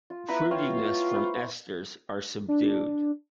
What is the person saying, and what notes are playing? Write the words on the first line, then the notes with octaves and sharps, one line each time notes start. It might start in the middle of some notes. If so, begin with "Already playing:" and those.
Fruitiness from esters are subdued.
F4
B3 E4 B4 A#5
F4 C#5 G5
C5 F#5 B5
D4